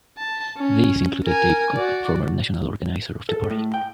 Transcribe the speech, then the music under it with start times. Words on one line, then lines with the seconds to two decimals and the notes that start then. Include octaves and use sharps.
These included Dave Cook, former National Organiser of the party.
0.18 A5
0.57 C#4
1.24 A#4 G#5
1.74 F#4 D5
3.29 A4
3.51 A2
3.74 G5